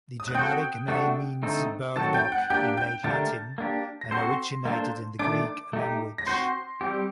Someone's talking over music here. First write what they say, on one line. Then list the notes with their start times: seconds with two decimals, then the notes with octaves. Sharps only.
The generic name means "burdock" in late Latin and originated in the Greek language.
0.20 D#6
0.28 F#6
0.35 C4 F#4 A4 G5 G6
0.88 A3 D4 F#4 A4
1.43 D3 A3 C4 D#4 A4
1.96 D#3 F#3 C4 F#4 A4 A5 A6
2.14 G5 G6
2.32 F#5 F#6
2.50 A#3 D4 G4 G5 G6
2.77 G5 G6
3.03 D3 A3 D4 G4 A#4 A5 A6
3.58 A#3 D4 G4
4.01 A#6
4.11 C4 F#4 A4 C5 C6 C7
4.65 A#3 D4 A4 C5
5.19 D#3 A3 D4 D6 D7
5.73 A3 D#4 G4
6.18 A#6
6.26 C4 F#4 C5 C6 C7
6.81 G3 C4 G4